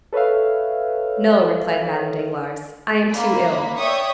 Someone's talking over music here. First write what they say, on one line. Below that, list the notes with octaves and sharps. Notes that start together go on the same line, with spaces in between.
"No," replied Madame Danglars, "I am too ill."
A4 B4 C#5 E5 F5
A#3 B5
C#5 D5 E5 G5 C#6 D#6